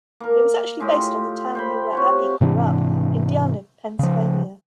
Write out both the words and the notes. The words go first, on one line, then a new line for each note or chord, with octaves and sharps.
It was actually based on the town near where Abbey grew up, Indiana, Pennsylvania.
A#3 A#4
A2 G#3 F4 G4
C5 G5 B5
C3 F#4 C#5
G#2 C3 E3 D4
C#3 F3